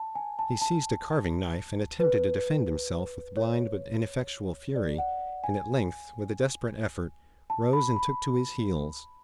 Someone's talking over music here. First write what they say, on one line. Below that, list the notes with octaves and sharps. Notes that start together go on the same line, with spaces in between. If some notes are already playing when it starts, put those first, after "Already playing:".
He seized a carving-knife and attempted to defend himself with blind but ineffectual fury, and at length, with a desperate effort, rose and took to his heels.
Already playing: A5
G#5
A5
A5
B4
C#5
D5
F#5
G#5
A5
B5
B5